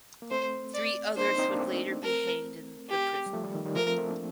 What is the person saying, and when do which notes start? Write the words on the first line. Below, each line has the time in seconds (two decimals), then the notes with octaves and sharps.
Three others would later be hanged in the prison.
0.22 A#3
0.31 A3 C4 C5
0.74 D5
1.17 A#3 D4 C5
1.27 C4 D#4
1.38 C4 D#4
1.49 A#3 D4
1.60 A3 C4
2.03 A#4
2.90 G4
3.26 G3
3.33 F3 A3
3.43 D#3 G3
3.55 D#3
3.65 D#3 G3
3.76 F3 A3 A#4
3.86 A3 C4
3.98 A3 C4
4.08 A#3 D4